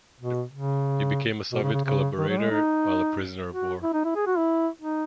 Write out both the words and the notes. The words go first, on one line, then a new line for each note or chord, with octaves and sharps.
He became a Soviet collaborator while a prisoner of war.
B2
C#3
B2
C#3
C#3
C#3
D#3
F#3
G#3
D#4
F#4
E4
D#4
E4
G#4
F#4
E4
D#4